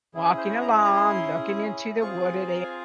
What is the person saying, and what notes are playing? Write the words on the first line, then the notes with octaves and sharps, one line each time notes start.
walking along, looking into the wooded areas,
C#4 E4 G#4
C5
C#5
A#5
A#5
C6
C4 F4 G#4 C#6
C6
A#5
G#5